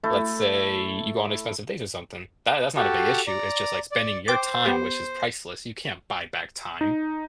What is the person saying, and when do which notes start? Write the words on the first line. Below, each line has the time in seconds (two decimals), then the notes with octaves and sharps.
let's say you go on expensive dates or something, that that's not a big issue, it's just like spending your time, which is priceless, you can't buy back time.
0.03 A3 E4 A4
2.77 F#4 G4 A4
3.27 D5 A#5
3.92 D5
4.28 C5 G5 D6
4.66 B3 G4
6.81 D#4